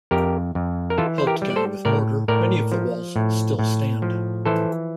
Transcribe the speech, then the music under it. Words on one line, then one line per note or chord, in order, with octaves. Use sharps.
Held together with mortar, many of the walls still stand.
F2 G4 A#4
F2
A#4
E3 F4 A4
C5
G4 A#4
G3
D5
A4 C5
A2 A#4 D5
A2 A#4 D5
F3
A2
A2
F3
E3 A4 C5